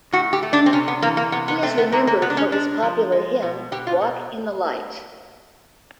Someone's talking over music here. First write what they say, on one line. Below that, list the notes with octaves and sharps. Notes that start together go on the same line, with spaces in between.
He is remembered for his popular hymn: "Walk in the light".
A2 F#4
G4
A3
D4
C4
C3 C#4
B3
E3 A#3
A#3
C3 B3
B3
A3 C4
B3
G#3 A#3
A#3
C3 B3
D4
C#4
G#3 D4
F3
G#3
B2
B2 G4
F4
B2